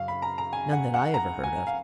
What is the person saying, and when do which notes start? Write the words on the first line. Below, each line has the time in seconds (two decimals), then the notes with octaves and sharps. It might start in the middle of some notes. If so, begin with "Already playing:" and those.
"None, that I ever heard of."
Already playing: F#2 C#3 F#3 F5
0.08 B5
0.22 A#5
0.38 A#5
0.53 G#5
0.73 F#5
0.94 F#5
1.14 A#5
1.44 G#5
1.67 F5